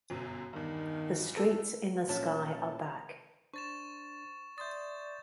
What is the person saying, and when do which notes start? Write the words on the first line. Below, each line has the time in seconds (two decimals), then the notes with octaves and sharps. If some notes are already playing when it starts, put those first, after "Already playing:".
The streets in the sky are back.
0.10 G1 F#2 B2
0.53 E2 G2 D#3
1.37 A4
2.09 A#1 A#2 E3 A3 C#4 C#5 A5 F6
3.54 D4 C5 C#6 A6 E7
4.58 D5 E5 C6 D#6 G6 A6